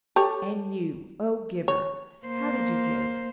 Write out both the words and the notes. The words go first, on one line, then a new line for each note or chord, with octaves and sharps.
And you, O giver! how did you give?
G4 A4 C#5
C#5
A#3 C5